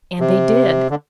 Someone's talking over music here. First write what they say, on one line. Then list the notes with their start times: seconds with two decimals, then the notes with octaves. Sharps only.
And they did.
0.20 C3
0.90 D3